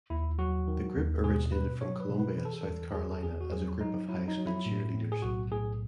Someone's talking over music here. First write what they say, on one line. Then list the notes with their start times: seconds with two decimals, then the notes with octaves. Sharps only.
The group originated from Columbia, South Carolina as a group of high school cheerleaders.
0.10 D#2 E4
0.38 F#3 F#4
0.68 D#3
0.96 D#2
1.24 B2 G#4
1.52 B2 B4
1.81 F#3 C#5
2.00 B4
2.09 B2
2.19 B4
2.38 E3 B4
2.45 A4
2.53 G#4
2.61 A4
2.66 E2
2.95 E2 G#4
3.12 A4
3.23 E2 G#4
3.41 F#4
3.52 F#3 G#4
3.80 F#3 D#4
4.09 F#3 E4
4.28 D#4
4.37 F#3
4.47 E4
4.66 A2
4.94 A2
5.12 G#4
5.22 B1 F#4
5.51 A2 G#4